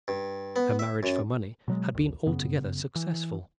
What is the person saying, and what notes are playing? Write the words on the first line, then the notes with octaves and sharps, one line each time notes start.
Her marriage for money had been altogether successful.
G2
B3
E5
F#2
B2 F#3 G#3
A#1 D#2
G1 F#2 C#3 B3
E3